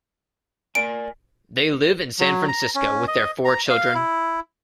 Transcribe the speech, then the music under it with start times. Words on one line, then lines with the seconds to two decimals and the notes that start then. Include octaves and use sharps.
They live in San Francisco with their four children.
0.75 A#4 D5 G#5 D7
2.19 F#3
2.48 A#5
2.75 C#4
3.08 D#5
3.45 A#5
3.70 F5
3.95 E4